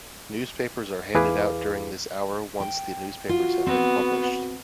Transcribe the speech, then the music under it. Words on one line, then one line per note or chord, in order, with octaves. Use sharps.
Newspapers are handed out during this hour once the newspapers have been published.
E2 E4 G#4 B4 F5 D6
G5
F4 F#4
B3 C4